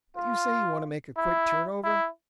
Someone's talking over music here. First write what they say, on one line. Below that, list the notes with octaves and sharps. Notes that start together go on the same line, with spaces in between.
But you say you want to make a quick turn-over?
F4
E4
E4